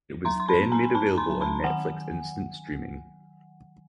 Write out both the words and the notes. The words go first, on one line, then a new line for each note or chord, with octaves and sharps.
It was then made available on Netflix Instant Streaming.
F#3 A#5 C6
C6
A5 B5
B3
G#5 A#5
D#4 A5 B5
A#5 C6
F#3
A5 B5
D#3 F#5 G#5